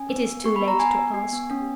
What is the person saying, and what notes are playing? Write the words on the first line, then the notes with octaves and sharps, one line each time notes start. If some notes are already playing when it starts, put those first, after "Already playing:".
It is too late to ask.
Already playing: C#4 G#5
B3
B3
G4 C#6
B3 B5
A#5
G4 G#5
B3
G4
B3
C#4